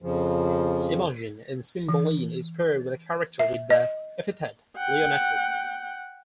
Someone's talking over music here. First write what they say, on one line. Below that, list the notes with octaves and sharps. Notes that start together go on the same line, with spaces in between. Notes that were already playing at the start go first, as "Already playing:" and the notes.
Imogen in "Cymbeline" is paired with a character with the epithet "Leonatus".
F2 C#3 F3
E3
E5
D#5
F#5 G5